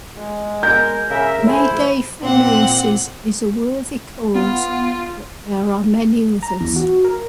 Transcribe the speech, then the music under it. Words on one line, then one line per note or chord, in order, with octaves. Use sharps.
Mayday for Nurses is a worthy cause, but there are many others.
G#3
A#4 G6
C#3 G#4 A#4 E5
A3 E4 G#4 C5
A#2 C4 F#5
B3 F4
A#5
E2
F#4
A#4